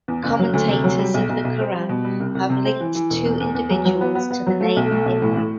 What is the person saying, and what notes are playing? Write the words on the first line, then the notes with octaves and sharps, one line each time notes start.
Commentators of the Quran have linked two individuals to the name Imran.
E2
F#1
F#3
D2
C3
F#3
G3
B1
B1
B1
C4
G3
B2
G3
C2
C2
C3
C4
E3
E3
E1
E2
E2
E2
F#3
F#3
B3
B3
B3
F#3
A3
B1
A3
B1
A2
A2